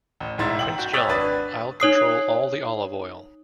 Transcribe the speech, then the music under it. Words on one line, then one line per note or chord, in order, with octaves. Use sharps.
Prince John: I'll control all the olive oil!
A1
E1 A1 G#2 E4 C6 A6
G5 F#7
F#4 G5
C#5 D#6 E6 A6 B6
G#1 D4 B4 A6
D#4 C#5 D#6 C7